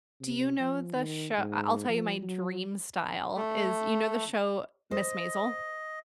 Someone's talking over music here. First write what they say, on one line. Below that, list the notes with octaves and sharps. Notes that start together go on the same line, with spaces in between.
Do you know the sho I I'll tell you my dream style is, you know the show "Miss Maisel"?
C3
F3
D#3
G#2
F3
F#3
A3
C5 D#5